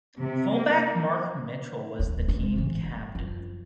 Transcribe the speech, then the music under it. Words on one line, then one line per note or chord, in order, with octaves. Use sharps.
Fullback Mark Mitchell was the team captain.
C3
A#3
D1 E2
A3 D4
G#3
A2 E3
G1
F#2 F3